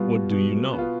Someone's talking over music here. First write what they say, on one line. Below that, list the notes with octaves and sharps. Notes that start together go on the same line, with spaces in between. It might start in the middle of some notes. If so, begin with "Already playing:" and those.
"What do you know?"
Already playing: B2 G3 B3 F4
B2
B3
F4